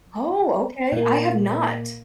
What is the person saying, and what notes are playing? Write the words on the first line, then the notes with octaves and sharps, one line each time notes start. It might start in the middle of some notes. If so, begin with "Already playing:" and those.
Oh, okay. I have not.
A#2 A#3